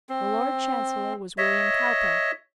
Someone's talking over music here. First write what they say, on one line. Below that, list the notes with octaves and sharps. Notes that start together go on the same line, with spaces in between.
The Lord Chancellor was William Cowper.
C4
C#5 D#5 E5